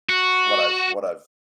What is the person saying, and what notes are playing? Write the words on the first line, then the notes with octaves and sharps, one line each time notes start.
what I've what I've
F#4